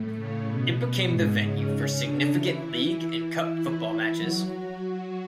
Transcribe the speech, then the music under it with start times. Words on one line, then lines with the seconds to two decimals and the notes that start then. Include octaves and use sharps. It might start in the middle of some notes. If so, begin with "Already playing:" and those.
It became the venue for significant league and cup football matches.
Already playing: A2 A3
0.16 C#3 C#4
0.47 B2 B3
1.09 G#2 G#3
1.39 C#3 C#4
2.01 D3 D4
2.32 E3 E4
2.94 E3 E4
3.56 E3 E4
4.17 F#3 F#4